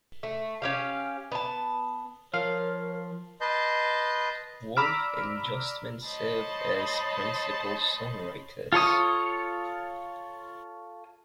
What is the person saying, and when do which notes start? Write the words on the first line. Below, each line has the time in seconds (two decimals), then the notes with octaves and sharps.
Wolf and Justman served as principal songwriters.
0.23 A3
0.62 C#4 G4 F5
1.32 B3 A5
2.34 F3 A#4 C#5 F5
3.41 B4 D#5 A5 C6 G6
4.76 D5 A#5 B5 E6 F6 D7
6.05 C5 C#5 D#5 A5 B5
8.73 F4 A4 C#5 D#6